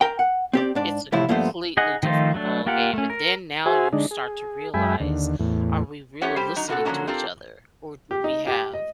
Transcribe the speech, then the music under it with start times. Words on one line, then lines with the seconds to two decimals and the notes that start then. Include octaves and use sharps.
it's a completely different ball game. And then, now you start to realize, are we really listening to each other, or do we have,
0.01 A#4 G5
0.19 F#5
0.53 C4 G4 D5
0.75 G#2 D4 D5
1.12 C2 A2 E3 F3 E4 F4
1.29 G2 A#2 F3 A3 B3 C5
1.77 D#4 G#4 D#5 F#5
2.03 D#3 F3 A3 D#4 F4
2.34 F#3 A3 D4
2.66 A#3 F4 G4 A#4 F#5
2.93 A3 C#4
3.10 A#4
3.66 F#4 G#4 C5 E5 G#5
3.93 D3 G#3 D4 D#4
4.11 G#4
4.74 F#2 G#3 E5 G5 G#5 B5
5.00 D#2 D3
5.40 E2 A2
6.21 F#2 A3 C#4 G4 C#5 F#5
6.36 G3 G4 C5
6.57 F#3 D#4
6.68 A2 C3 F#4 A4 F#5
6.85 D3 F3 F#3 G#3 A#3 C#4
7.07 C4 F4 G4 A4 A#4
8.11 G4
8.24 D#4
8.47 G4
8.74 D#5